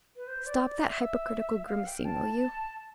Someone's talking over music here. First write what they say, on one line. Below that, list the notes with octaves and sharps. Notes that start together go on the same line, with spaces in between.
Stop that hypocritical grimacing, will you.
B4
C5
D5
D5
E5
F5
G5
A5